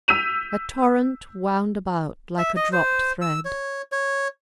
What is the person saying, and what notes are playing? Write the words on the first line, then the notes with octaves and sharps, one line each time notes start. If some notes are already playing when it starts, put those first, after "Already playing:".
A torrent wound about like a dropped thread.
E6 G6 B6 D#7 F7
E5
D#5
C5
E6
C#5
C#5